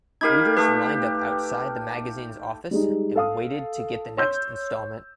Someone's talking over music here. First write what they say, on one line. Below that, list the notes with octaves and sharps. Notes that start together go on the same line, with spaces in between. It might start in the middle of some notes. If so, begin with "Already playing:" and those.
Readers lined up outside the magazine's offices, waiting to get the next instalment.
D#4 G4 A#4 F5 B5 G#6
A3 G4 B4
G3 G#3 D#4
A4 F5 D#6
C#5 C6 E6 G6